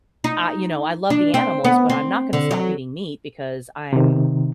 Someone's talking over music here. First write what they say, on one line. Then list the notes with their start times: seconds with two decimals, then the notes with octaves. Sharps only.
I you know, I love the animals, but I'm not gonna stop eating meat because I'm,
0.24 D#4
1.10 D4
1.34 C4
1.64 B3
1.90 C4
2.33 D3
2.51 F#3
3.93 C3 D#3